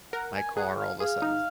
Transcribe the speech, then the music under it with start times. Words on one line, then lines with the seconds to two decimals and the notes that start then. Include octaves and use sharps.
my car all of a sudden s
0.13 A#4 F#5
0.36 G#5
0.57 G#4 F#5
0.78 F5
1.00 G#4 F5
1.22 D#4